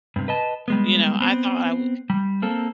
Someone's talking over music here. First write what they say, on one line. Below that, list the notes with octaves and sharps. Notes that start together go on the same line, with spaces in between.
You know, I thought I wa
G2 C3
B4 D#5 A5
G3 G#3 B3
B3 C4
G3
A#3 C4 A4